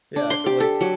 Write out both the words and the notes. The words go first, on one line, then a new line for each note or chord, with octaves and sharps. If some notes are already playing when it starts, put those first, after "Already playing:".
Yeah, I feel, like,
D4
C6
G4
A4
F#3